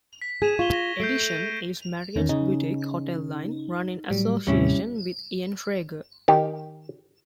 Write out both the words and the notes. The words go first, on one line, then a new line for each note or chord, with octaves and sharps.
"Edition" is Marriott's boutique hotel line, run in association with Ian Schrager.
B6
G#4 G#6 D#7 E7
F4 C#6 F7 G7
A#6
A3 G6 C7 D7
D#7
E2 D#3 C#4
C#3 D#4
A2 F#3 G3
D#2 A2 C3 G3 C#4 E4
D#3 G4